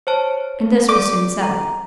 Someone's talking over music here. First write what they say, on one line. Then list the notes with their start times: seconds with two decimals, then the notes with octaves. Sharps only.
And this was soon settled.
0.07 C5 C#5 A5
0.89 A4 D5 D6
1.43 A#5